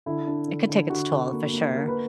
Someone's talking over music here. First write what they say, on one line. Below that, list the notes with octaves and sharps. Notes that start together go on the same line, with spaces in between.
it could take its toll for sure.
D3 E4
D4
D3
D3
D3 F#4
D3
A#3
A#3
A#3 A#4
B4